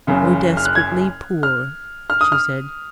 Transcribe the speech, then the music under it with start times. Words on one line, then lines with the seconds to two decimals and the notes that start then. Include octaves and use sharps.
"Were desperately poor," she said.
0.07 F#1 F#2 C#3
0.57 F6
0.65 F#6
0.75 G#6
1.43 F6
2.10 F6
2.21 D#6
2.32 F6